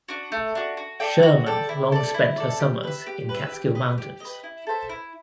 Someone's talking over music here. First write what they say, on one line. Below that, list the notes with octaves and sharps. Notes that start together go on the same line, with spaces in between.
Sherman long spent her summers in Catskill Mountains.
D4 F#4
A3
D4 F#4
F#4
A4 D5 G5
F#4
A4 D5 G5
E4
A4 D5
E4
A4 D5
G4
B4 E5
G4
B4
E5
G4
B4 D#5
G4
B4 D#5
E4
A4 C5 E5
E4